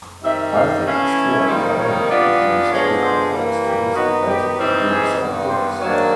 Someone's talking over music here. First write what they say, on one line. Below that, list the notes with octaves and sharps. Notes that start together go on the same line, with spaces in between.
I think it’s too overwhelming to introduce two complex tools that basically do the same things.
D#3 G3 C4 D#4 E5
F5
E3 A3 C#4 E4 F5
C3 D#3 G3 A#3 D#4 C5
C#5
E3 G3 B3 D4 F4 D5
D3 F3 G#3 B3 D4 C#5
C5
E3 G3 A#3
G4
D#3 F#3 B3 D#4 F#4
G4
E3 G3 C4 D#4
G#4
G2 D#3 G3 B3
C5
G#2 D#3 F#3 A#3 D4 C#5